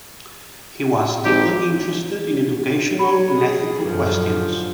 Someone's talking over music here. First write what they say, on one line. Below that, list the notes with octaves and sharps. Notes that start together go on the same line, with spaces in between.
He was deeply interested in educational and ethical questions.
G#1 G4
C#5 B5
G#4
F#2 D3 F3